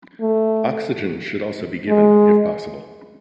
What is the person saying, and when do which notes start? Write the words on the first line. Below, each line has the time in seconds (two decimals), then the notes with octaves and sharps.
Oxygen should also be given if possible.
0.21 A3
1.89 G#3